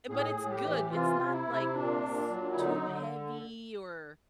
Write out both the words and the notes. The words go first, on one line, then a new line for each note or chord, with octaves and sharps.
Uh, but it's good, it's not like s too heavy or
A2 G#4
A2
G4
E3
C3 F4
C3
E4
C3
A#2 D4
A#2
F#3
E4
D3 D#4
D3